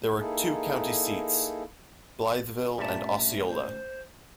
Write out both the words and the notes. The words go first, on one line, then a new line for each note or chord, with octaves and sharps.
There are two county seats, Blytheville and Osceola.
A#3 D#4 E4 G#4 A4
G2 A#2 A3 C#4 E5 A5
C5